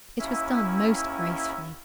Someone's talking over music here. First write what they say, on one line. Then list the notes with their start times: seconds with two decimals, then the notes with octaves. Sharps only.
It was done most gracefully.
0.19 D#2 C#4 E4 E5